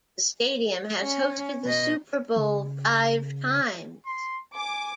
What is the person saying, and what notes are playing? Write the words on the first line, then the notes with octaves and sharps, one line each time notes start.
The stadium has hosted the Super Bowl five times.
C#4
B2 D#5
C#3
C6
G#5 D6